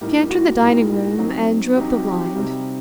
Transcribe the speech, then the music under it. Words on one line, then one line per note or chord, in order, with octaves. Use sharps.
She entered the dining-room and drew up the blind.
A2 G3 A#3 D#4 G4
F#4
A2 G3 A#3 D#4
F#3 C4 D#4
F#3 C4 D#4 G4
F#4
G4
C3 G3 C4 D#4